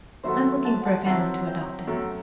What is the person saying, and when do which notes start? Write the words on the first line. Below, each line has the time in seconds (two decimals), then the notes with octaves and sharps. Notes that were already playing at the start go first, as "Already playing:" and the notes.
I am looking for a family to adopt him.
0.23 D#3 F#3 B3 F#4 A4 C5 E5
0.64 F#5 A5
0.85 F#5 A5
1.05 D#3 F#3 C4 E4 F#5 A5
1.46 E5 G5
1.87 F#2 F#3 A3